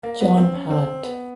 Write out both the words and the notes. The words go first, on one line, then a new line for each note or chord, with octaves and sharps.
John Hand.
A#3
B3
C4
C#4
C4
B3